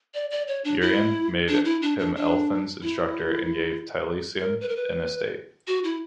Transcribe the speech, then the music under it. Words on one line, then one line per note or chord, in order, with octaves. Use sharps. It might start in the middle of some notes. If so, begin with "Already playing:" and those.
Urien made him Elffin's instructor, and gave Taliesin an estate.
D5
D5
C#5
D4
E4
D4
E4
D4
D4
D4
E4
A#4
B4
A#4
B4
F#4
E4